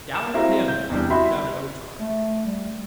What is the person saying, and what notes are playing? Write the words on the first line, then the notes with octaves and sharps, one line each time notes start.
"Down with him!" shouted O-Tar.
E7
C4 E4 F#4 F5 A#5
G6
E2 C3 G3 D4
E4 F#4 E5 B5 C6
A3
G3